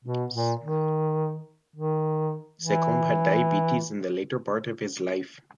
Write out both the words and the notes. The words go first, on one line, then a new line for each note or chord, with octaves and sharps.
Secombe had diabetes in the latter part of his life.
B2
A#2
D#3
D#3
E3